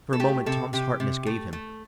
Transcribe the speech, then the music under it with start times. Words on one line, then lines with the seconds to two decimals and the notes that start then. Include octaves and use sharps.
For a moment Tom's heart misgave him.
0.13 A4
0.20 A3 G4
0.46 C3 A4
0.73 C3 G4
1.00 C3
1.26 A3
1.53 A3